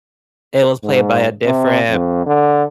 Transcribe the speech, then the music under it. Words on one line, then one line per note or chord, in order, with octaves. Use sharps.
it was played by a different
G#2
C3
F2
D3